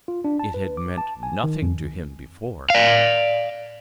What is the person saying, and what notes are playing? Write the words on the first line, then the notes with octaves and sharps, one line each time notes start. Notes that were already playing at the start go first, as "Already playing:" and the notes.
It had meant nothing to him before.
F4
D4
A5
B4
D6
A5
G#5
D#3
F2
D5 F5